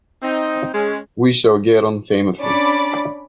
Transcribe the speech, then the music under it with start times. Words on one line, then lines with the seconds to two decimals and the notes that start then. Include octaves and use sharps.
We shall get on famously.
0.23 C4 D#4
0.74 G#3 C#4
2.40 C#4 D4 C#5 B5 D6 A6